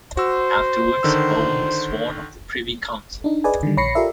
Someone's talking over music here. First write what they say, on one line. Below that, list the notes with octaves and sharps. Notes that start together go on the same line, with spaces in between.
Afterwards, Bowen was sworn of the Privy Council.
F#4 C5 E6
D3 D#3 E6
D4 D#4
G#4 B4 D5 D#5 G#5
D3 D#3 G3
A#1 C#5 B5 A#6 C7 C#7
F4 G4 A4 A#4 D5 E5